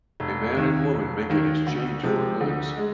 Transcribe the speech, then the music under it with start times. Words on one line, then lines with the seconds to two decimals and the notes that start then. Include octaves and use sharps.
A man and woman make an exchange for goods.
0.20 F1
0.57 D#2 D#3
0.94 F1
1.30 D#2 D#3
1.67 D2
2.03 C3 F3 G#3
2.41 D2
2.77 G#3